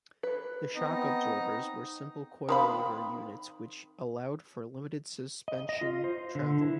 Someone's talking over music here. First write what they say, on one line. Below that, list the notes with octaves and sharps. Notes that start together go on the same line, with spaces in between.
The shock absorbers were simple coilover units which allowed for limited suspension travel.
B4
B3 C4 D#4
D#3 C4 F5 B5 C6 D#6
D#5
D#5
F4
C5
D3
E4